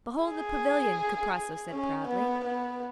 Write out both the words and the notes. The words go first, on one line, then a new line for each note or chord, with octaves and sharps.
'Behold the Pavilion,' Kuprasso said proudly.
G#4
C#4
B3
B3